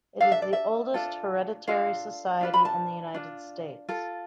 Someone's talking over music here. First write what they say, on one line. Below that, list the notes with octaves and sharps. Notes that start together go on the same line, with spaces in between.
It is the oldest hereditary society in the United States.
D4 A4 F5
E5
D5
E5
D4 F4 A4
D4 F4 A4 F5
D4 F4 B4
B5
A5
D4 F4
F4 A4